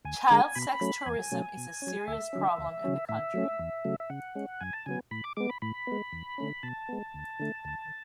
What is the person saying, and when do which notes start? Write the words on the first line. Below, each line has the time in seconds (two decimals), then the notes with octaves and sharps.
Child sex tourism is a serious problem in the country.
0.05 D2 G#5
0.30 D3 G#3
0.55 B2 B5
0.81 F#3 A3 C#4
1.06 E2 G#5
1.32 B2 F#3 A3 C#4
1.57 B2
1.82 F#3 C#4
2.08 D2 E5
2.33 D3 F#3 C#4
2.58 D2
2.84 C#3 F#3 C#4
3.09 A2 E5
3.34 F#3 A3 C#4
3.59 E2
3.85 C#3 F#3 A3
4.00 E5
4.10 C#3 F#5
4.35 G#3 C#4
4.61 F#2 G#5
4.73 A5
4.86 C#3 F#3 B3 G#5
5.11 A2 B5
5.24 D6
5.37 G#3 B3 D6
5.49 B5
5.62 A2 B5
5.87 G#3 B3
6.13 E2
6.38 D3 A3 C#4
6.63 B2 A5
6.89 G#3 B3
7.14 D2
7.40 D3 A3
7.65 D2